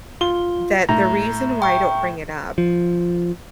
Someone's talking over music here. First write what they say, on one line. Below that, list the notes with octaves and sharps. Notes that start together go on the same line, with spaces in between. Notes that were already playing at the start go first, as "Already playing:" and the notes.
that the reason why I don't bring it up
F4 G7
A2 A#5
G5 C#6
F3